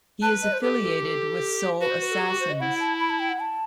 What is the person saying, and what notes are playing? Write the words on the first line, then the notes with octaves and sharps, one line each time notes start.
He is affiliated with Soul Assassins.
B4 A5
D#5
C5
G4 A4
A4
A4
F#4 B4
C5
B4
A4
G4
G4
C5
D#5
E4 F#5
A5
B5
A5
G5
F#5
A5